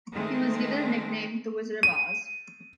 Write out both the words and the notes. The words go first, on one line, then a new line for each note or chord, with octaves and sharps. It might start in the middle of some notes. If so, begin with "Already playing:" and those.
He was given the nickname "the Wizard of Os".
D#3 G#3 A3 C4
D#7